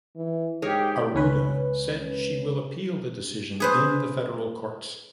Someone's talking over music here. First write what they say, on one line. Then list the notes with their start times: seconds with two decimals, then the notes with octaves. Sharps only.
Arruda said she will appeal the decision in the federal courts.
0.16 E3
0.62 G#2 G4 G#4 A#4 C#5
1.14 C#2 C#4 B4
3.60 G#4 B4 C5